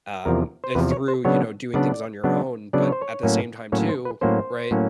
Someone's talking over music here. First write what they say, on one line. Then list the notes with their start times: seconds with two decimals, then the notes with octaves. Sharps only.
um, if through, you know, doing things on your own, but at the same time too, right?
0.25 E2 C3 F3 A#4
0.64 C5
0.75 E2 C3 F3 B4
0.92 C#5
1.08 C5
1.25 C#3 F#3 B3 D4 C#5
1.74 C#3 F#3 B3 D4 D5
2.24 C#3 F#3 B3 D4
2.73 C#3 F#3 B3 D4 D5
2.83 C#5
2.92 C5
3.01 C#5
3.23 A2 F#3 A#3 C#4
3.72 A2 F#3 A#3 C#4 C#5
3.89 C5
4.05 B4
4.21 A2 F#3 A#3 C#4 C5
4.71 A2 F#3 A#3 C#4